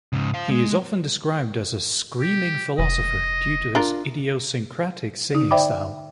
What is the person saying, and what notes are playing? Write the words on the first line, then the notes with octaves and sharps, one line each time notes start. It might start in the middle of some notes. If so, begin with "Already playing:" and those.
He is often described as a "screaming philosopher" due to his idiosyncratic singing style.
G#2 C#3
C5 F5
G#3
G4
F1 D#5
D4 F4 A#4
D3 D#4
C5 D5 E5 G5 B5 D6